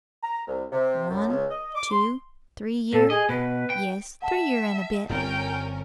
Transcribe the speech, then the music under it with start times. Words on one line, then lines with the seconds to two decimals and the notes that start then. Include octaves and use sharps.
"One, two, three year; yes, three year and a bit."
0.23 A#5
0.47 C2
0.72 C3
1.10 F#2
1.28 C#2
1.49 D#5
1.76 D6
1.91 C6
2.93 A#2 A4
3.10 G#4 D#5
3.29 B2 B4
3.70 G5
4.22 E5 F#5 A5
5.09 G1 G2 C4 C#4 A#4 G5